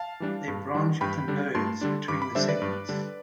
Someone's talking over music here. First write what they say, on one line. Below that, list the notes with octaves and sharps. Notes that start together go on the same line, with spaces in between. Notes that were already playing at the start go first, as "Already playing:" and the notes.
They branch at the nodes between the segments.
Already playing: F5 A5
E3 G3 D4
G2
E3 G3 D4
G2 G5 B5
D3 G3 D4
G2 A5 C6
D3 G3 D4
G2 B5 D6
B5 D6
D3 G3 D4 C5 E5
B4 D5
G2
D3 G3 D4